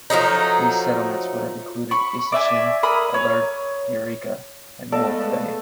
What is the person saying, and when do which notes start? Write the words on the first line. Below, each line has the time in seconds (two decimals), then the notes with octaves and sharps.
These settlements would have included Isachsen, Alert, Eureka, and Mould Bay.
0.10 F3 F#3 A3 D#4
1.91 B5 C#6
2.32 D5 E5 F#5 G#5
2.83 A#4 G#5 B5 D#6
3.14 C#5
4.92 G#3 A3 B3 A4 D5 D#5 F5